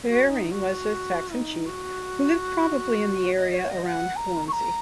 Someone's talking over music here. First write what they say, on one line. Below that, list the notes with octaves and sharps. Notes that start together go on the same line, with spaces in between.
Haering was a Saxon chief who lived probably in the area around Hornsey.
F#4
D#4
F#4
D#4
F#4
D#5
C#5
D#5
F#5
A#5
C#6
A#5